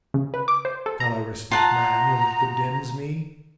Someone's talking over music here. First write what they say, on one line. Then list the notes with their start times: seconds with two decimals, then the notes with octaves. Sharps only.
Shall I respect man when he condemns me?
0.14 C#3
0.34 B4
0.48 D6
0.65 C5
0.86 A4
1.00 A#5
1.51 F4 F#5 A5 A#5